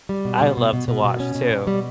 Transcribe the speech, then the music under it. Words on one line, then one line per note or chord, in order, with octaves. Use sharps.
I love to watch too.
G3
B2
B2
B2
B2
B2
B2
C#4
B2
B2
G3